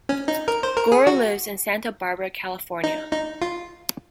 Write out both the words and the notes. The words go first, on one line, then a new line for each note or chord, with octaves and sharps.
Gore lives in Santa Barbara, California.
C#4
D#4
A#4
C5
A#4
G#4
F#4
D#4
D#4
F4